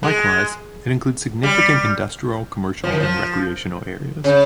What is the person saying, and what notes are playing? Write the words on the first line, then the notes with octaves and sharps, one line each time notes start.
Likewise, it includes significant industrial, commercial and recreational areas.
G#3
G3
F3
D#3
F3
C#3